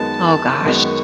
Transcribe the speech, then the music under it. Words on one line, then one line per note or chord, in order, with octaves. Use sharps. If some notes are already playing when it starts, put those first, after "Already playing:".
Oh, gosh.
Already playing: F#2 D#3 G#3 B3 D#4 A5
F#2 D#3 G#3 B3 D#4 C#6